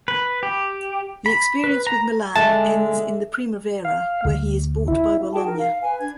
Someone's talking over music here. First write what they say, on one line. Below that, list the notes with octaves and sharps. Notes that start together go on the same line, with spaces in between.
The experience with Milan ends in the Primavera where he is bought by Bologna.
B4
G4
B5
B4
A#5
D3 G#3 E5 A5
F5
D2
E4
F#4 G#4 G5 A5
D#4 A#4
F5
B4 G#5
D4 G#6